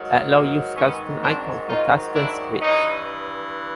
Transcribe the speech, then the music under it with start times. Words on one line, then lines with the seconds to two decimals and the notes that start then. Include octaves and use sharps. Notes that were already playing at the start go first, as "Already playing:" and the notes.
Allow use customs icons for customs scripts!
Already playing: G#2 D#3 F#3
0.30 G#3 A#3
0.76 G#2 D#3 F#3 B3 C#4
1.23 C4 D4
1.69 D#4 F4
2.15 D4 E4
2.61 G2 E3 C#4 D#4